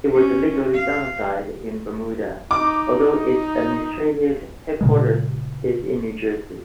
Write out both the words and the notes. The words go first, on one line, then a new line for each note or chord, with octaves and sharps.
It was legally domiciled in Bermuda, although its administrative headquarters is in New Jersey.
C#4
F5
D#4 D6
A#2 C#3 G#3